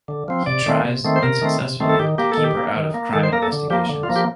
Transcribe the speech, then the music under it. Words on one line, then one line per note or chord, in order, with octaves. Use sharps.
He tries, unsuccessfully, to keep her out of crime investigations.
D3
F3 C4
C3 D5
D#3 A3 C4
C3
D#3 A3 C4
C5
C3 A#4
D#3 A3 C4
C3
D#3 A3 C4
A4
D#3 G4
A#3 G4
A4
D#3
G4
A#3
D#3
A#3
D#3 A4
C5
A#3 A#4
A4
D3
F3 A#3 G4
D3
F4
F3 A#3
G4